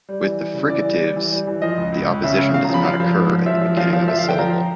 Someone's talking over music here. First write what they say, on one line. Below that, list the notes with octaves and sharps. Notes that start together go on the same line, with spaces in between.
With the fricatives, the opposition does not occur at the beginning of a syllable.
G3
E3
G3
C#3
E3 D5
G3
G3
E3
G3
E3
F3 D#5
C#2
C#2
C#2
C#3 E5
C#3
C#3 F5
A#5
F3 B5
F3 F5
F3
G#2
F3
F3 E5
F3
F3 F5
F3
F3 E5
F5
D3
G5
F3 A#5